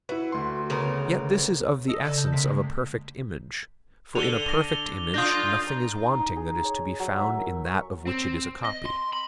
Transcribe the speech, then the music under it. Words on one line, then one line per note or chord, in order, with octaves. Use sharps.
Yet this is of the essence of a perfect image; for in a perfect image nothing is wanting that is to be found in that of which it is a copy.
E4 F#4 B4
D2 C6
C#3 B3 A#4
A4 D#5
C#3 A4 D5
A5 G6
C3 A#3 B6
G#3
D3 F7 G7
A#6 G7
D4 F4 D#6 G6 A#6
A#5
D#4
D#4
G#4
C#5
F#3
E5
A#4
C#6
C4
D#5
C6
B5